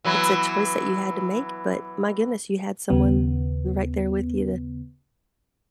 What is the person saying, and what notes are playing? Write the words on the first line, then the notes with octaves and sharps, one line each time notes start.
it's a choice that you had to make, but my goodness, you had someone right there with you to
E3 F#3 B3
D#2 C#3 B3